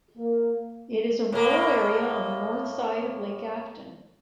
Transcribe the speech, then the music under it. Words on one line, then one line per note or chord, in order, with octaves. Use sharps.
It is a rural area on the north side of Lake Afton.
A#3
A2 A#3